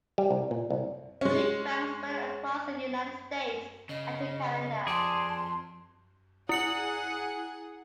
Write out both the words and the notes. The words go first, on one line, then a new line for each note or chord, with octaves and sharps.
Food banks spread across the United States, and to Canada.
G3
C2
A#2
C2
G#3 C#4
C#3 D#5
F2 G#4 D5 A5 C6
E4 G#4 F#5 C#7 F#7